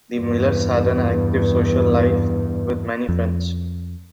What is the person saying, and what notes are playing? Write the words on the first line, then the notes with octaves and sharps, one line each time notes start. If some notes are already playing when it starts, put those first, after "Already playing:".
The Millers had an active social life with many friends.
E2 G2
F2